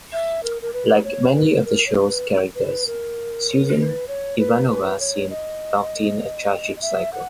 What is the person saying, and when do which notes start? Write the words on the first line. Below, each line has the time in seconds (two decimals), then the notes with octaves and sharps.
Like many of the show's characters, Susan Ivanova seemed locked in a tragic cycle.
0.12 E5
0.43 A#4
0.62 A#4
0.73 B4
1.04 C#5
1.34 B4
1.53 B4
1.65 A#4
1.86 C#5
1.95 B4
2.55 B4
2.86 A#4
3.77 B4
4.08 C#5
4.38 B4
4.69 B4
5.00 C#5
5.30 D#5
6.76 D#5
6.81 E5
7.12 F#5